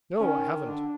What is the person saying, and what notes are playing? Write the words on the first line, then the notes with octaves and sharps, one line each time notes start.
'No, I haven't.
D#3 C#4
D3 D4